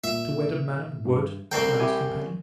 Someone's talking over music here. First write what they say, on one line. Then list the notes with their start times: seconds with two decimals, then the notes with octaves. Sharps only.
"To wed a man of wood," replied his companion.
0.04 A#2 E5
1.05 G2
1.52 C2 C4 A4 G5 A#5
1.80 E4 G4 G#5